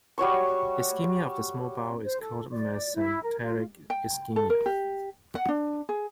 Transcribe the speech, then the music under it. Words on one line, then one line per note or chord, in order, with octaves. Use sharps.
Ischemia of the small bowel is called mesenteric ischemia.
G3 F#4 C#5 C#6
C5
A4
D5
E4
A#4
F4
G5
A4
A#4
G4
F#5
D4
G#4